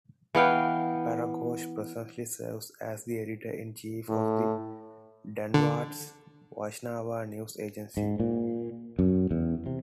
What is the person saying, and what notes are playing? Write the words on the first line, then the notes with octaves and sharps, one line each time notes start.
Praghosh presently serves as the editor in chief of the Dandavats Vaishnava news agency.
E3 B3 F5 G5
A2
D3
G#2
A#2
F#2
E2
C3